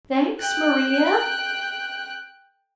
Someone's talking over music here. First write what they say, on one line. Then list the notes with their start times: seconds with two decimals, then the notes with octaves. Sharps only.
"Thanks, Maria."
0.39 G5 F#6